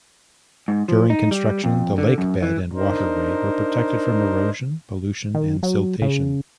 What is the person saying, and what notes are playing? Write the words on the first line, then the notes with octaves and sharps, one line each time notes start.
During construction, the lake bed and waterway were protected from erosion, pollution and siltation.
G#2
F3
D#4
G3
F2
D3
F#2
E3
D4 D#4 A#4 C5
D#3
F#3
C#3